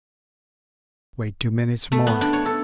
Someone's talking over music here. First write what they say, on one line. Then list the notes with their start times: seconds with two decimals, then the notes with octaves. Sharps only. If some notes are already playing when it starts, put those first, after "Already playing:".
"Wait two minutes more."
1.92 A3
2.07 B3
2.21 D4
2.33 C#5
2.46 A4